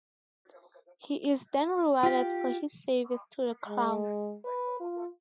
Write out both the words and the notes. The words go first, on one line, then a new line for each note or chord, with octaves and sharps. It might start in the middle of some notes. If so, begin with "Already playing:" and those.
He is then rewarded for his service to the crown.
F4 G4
G#3
B4
F4